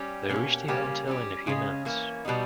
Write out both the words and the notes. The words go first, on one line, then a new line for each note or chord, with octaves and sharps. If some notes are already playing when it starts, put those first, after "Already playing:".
They reached the hotel in a few minutes.
Already playing: G3 C#4 G4
B2 A#3 C#4 G4
C#3 G3 A#3 C#4 G4
G3 C#4 G4
C#3 G#3 C#4
E3 A#3 C#4
B2 G3 B3 D#4